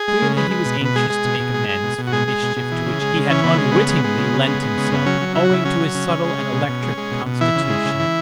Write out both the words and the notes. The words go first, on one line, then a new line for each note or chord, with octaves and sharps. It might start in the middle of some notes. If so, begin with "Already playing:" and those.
Clearly he was anxious to make amends for the mischief to which he had unwittingly lent himself owing to his subtle and electric constitution.
Already playing: G#4
G#3
C#3
G#3 B4
G#3
B2
B2 B4
G#3 G#4
G#3
B2
B2
G#3
G#3
B2
B2
F#4
G#3 G#4
G#3
B2
B2
E3
C#3
G#3
C#3
E3 C#4
C#3 B3
G#3
C#3 B3
G#3
G#3
C#3
C#3
G#3
G#3
C#3
C#3 B3
F#3 C#4
F#3
C#3 E4
F#4
C#3 E4
F#3 C#4
F#3
C#3
C#3
G#3
G#3
B2
B2
G#3
G#3
B2
B2
E3 E4
C#3
G#3
C#3
E3